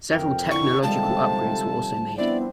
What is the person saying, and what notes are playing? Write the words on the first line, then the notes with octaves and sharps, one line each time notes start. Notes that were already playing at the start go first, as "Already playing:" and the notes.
Several technological upgrades were also made.
A1 F2 A#4 G5 F6
D3 E4 C#6
C3 F3 G3 G#3 D#4 A4 A5
B3 C4 D4 E4 D5